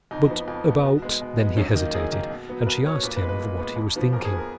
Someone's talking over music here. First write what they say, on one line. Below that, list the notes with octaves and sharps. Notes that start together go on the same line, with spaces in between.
"But about--." Then he hesitated, and she asked him of what he was thinking.
F2 D#4
F3 B3
F2
F3 B3
B2
G#3 B3
B2
G#3 B3
F#2 C#4
D#3 A#3 D#4
F#2 G#4
D#3 A#3
B2
F#3 B3
A#4
B2 B4
F#3 B3 C#5
A#2 B4
B4
G#3 B3
B4
A#2
G#3 B3
F2
F3 B3
F2 A#4
G#4
F3 B3
A#4